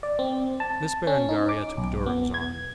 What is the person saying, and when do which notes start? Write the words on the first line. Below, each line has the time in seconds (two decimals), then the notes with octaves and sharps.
Miss Berengaria took Durham's arm.
0.03 D5
0.19 C4
0.60 A5
1.07 C#4
1.29 D#4
1.49 D6
1.77 B1
2.06 B3
2.34 G#6